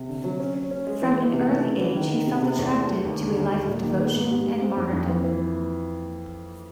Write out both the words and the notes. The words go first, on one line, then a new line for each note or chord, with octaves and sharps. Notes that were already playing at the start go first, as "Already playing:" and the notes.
From an early age, he felt attracted to a life of devotion and martyrdom.
Already playing: C3
D3
F#3
C#4
C#4
C#4
G#3
E3
E3
C3
A3
C#3
E3
D#3
D#3
C3
C3
E2
A3
G3
D#2
D3
D#2
G3
A#2
D#3
B3
G#2
G3
G3
C4
F2
F2
E3
E3